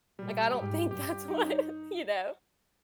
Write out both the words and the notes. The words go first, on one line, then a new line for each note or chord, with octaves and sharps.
Like, I don't think that's what you know?
A#2 G3
G#2 G4
G2 G4
D#4